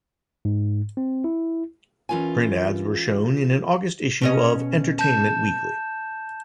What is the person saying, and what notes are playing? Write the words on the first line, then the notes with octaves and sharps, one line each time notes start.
Print ads were shown in an August issue of "Entertainment Weekly".
G#2
C4
E4
E3 C#4 F4 A#4 G#5
B2 C#4 D#5
A5 G6 E7